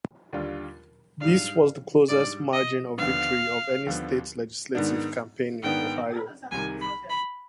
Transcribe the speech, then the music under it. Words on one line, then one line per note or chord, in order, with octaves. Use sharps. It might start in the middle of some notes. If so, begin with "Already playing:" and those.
This was the closest margin of victory of any state legislative campaign in Ohio.
D#2 D3 G3 D4 F4
G#2 G3 D4 F5
G#2 G3 D4 D5
D#5
D#2 D3 F3 B3 F5
D#2 D3 F3 B3
G#2 D#3 B3 D4
G#2 D#3 B3 D4 G5
C2 C3 D#3 G#5
B5
B5